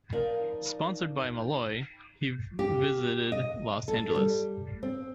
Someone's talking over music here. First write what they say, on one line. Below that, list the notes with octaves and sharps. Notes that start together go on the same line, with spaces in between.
Sponsored by Malloy, he visited Los Angeles.
F3 D#4 A#4 D5 F5
G4
D#5
A4
G3
C4